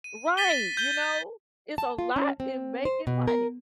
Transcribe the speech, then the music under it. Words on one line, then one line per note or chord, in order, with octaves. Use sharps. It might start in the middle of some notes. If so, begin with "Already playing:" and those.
Right, you know? It's a lot in making money.
D#7
A6 B6 D#7 G7
G6 G7
A5
F4
C#4
C4
C5
B2
A#4